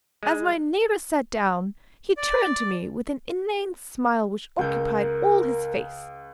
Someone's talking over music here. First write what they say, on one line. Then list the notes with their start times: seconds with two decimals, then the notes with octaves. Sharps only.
As my neighbour sat down, he turned to me with an inane smile which occupied all his face.
0.23 G#3
2.17 D5
4.59 C#2 A#4 G6